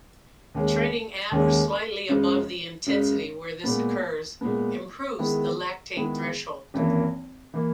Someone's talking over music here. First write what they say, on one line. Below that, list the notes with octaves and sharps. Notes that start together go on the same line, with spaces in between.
Training at or slightly above the intensity where this occurs improves the lactate threshold.
D#2 C#3 G#3 C#4
D#2 C#3 G#3 C#4
F#2 C#3 G#3
F#2 C#3 G#3
A#2 G#3 B3
A#2 G#3 B3
D#3 G#3 B3 E4 G#4
D#3 G#3 B3 E4 G#4
G#1 F#2 E3 A#3
E3 A#3